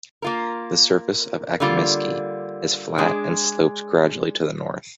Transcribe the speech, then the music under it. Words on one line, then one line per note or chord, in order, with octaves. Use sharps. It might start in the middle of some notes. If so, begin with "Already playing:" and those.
The surface of Akimiski is flat and slopes gradually to the north.
A#3 F4 A#4
D3 G3 A#3 F4
G#3 D4 G#4